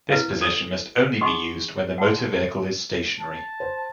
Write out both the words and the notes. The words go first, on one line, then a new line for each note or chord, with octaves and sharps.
This position must only be used when the motor vehicle is stationary.
E4 A#4 B4 D#5 F5
A4 D5
D#4 G#4 D#5 F#5 C6 C#6
F#5 A5 C6
A5
C5